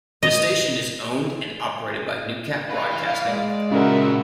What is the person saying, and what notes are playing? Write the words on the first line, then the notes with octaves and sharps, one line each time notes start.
The station is owned and operated by Newcap Broadcasting.
D#5
E4 B4 F5
G#3 D5
A#2 C#3 E4 F#4 A#4 E5